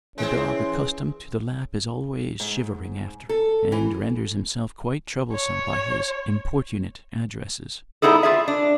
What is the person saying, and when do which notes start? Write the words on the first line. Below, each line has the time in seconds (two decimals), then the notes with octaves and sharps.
A dog accustomed to the lap is always shivering after it, and renders himself quite troublesome by his importunate addresses.
0.18 E3 G#3 C4 C#4
2.40 G#2
3.29 A4
3.72 E3
5.34 C#5
8.02 G3 B3 D#4 E4 G#4 A4
8.23 F4 G#4 E5
8.48 D4